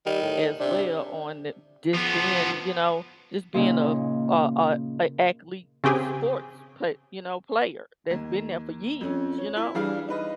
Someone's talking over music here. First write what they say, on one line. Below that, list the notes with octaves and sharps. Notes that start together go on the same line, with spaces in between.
as well on the just being, you know, just being a a a a athlete sports, but, you know, player that's been there for years, you know?
D#3 G3
A2
C3 D4
F3 B3
A#2 C#3 D#4
C#3 C4 G4 G#4
D#2
F2 C#4
C#5
E4
E3 G3 D4 G#4 F5
D#4 B4 D#5